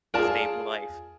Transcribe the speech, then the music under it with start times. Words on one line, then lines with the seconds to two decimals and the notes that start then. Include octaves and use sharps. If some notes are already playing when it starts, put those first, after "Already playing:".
the stable life.
0.14 F4 G#4 A#4 D5 A5